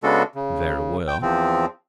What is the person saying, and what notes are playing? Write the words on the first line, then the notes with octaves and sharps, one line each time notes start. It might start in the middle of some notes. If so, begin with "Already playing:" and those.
"Very well."
C#3 G#3 B3 D4 F#4 A4
C#3
G5
E2 F3 C4